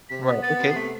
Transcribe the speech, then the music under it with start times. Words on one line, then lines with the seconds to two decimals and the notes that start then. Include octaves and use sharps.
Right, okay,
0.09 C3 B6
0.26 B3
0.43 B3 A6
0.59 C3
0.71 C7
0.76 A3 B6